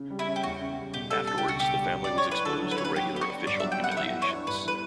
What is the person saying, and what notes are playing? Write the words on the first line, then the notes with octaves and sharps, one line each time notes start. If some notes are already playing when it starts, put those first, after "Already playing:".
Afterwards, the family was exposed to regular official humiliations.
Already playing: C#3
G3
E4
C#4
G4
E2 F#4
C#3
G3
B2 G4
G3 A4
D4 A4
G4
C#2 F#4
B2 G4
G3
F#3
D5
C#4
C#5
E4 B4
D3 A4
F#3
B4
C#4 C#5
B4
F#3 G4
B3 G4
F#4
D4
G2 D5
E5
F#3
G5
B3 F#5
F#5
E3 E5
B3
C#5
D4
G2 B4
E3 B4